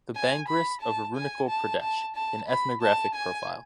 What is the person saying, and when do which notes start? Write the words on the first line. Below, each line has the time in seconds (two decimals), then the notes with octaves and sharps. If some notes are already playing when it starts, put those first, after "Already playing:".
The Bangrus of Arunachal Pradesh: An Ethnographic Profile.
0.16 G#5
0.48 B5
0.82 A5
1.16 G#5
1.49 A5
1.82 A5
2.16 A5
2.48 B5
2.82 A5
3.15 G#5